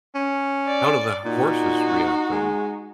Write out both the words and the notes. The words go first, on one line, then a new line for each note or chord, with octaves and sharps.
how do the h horses react, um
C#4
D5
A#2 D#4 F#4
G#3